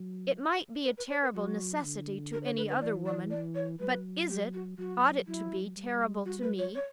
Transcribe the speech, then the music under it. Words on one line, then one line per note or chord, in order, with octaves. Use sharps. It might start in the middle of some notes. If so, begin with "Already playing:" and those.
It might be a terrible necessity to any other woman; but is it, ought it to be terrible to Me?
Already playing: F#3
B4
B4
C#5
B4
F#3 F#4
D3
A#4
C#5
B4
B4
E3 D5
D5
D5
C#5
F#3 B4
G4
F#4
F#3 F#4
F#3 E4
G3
F#4
B4
C#5
C#5